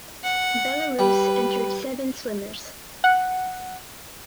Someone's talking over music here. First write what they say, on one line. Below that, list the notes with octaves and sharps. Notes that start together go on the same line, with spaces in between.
Belarus entered seven swimmers.
F#5
G3 B4
F#5